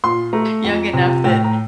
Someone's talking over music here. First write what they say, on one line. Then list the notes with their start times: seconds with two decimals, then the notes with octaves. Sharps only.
young enough that,
0.04 A#2 C6
0.33 A3 A#5
0.64 F2
0.93 C3 F3
1.24 A2 G5
1.44 A#5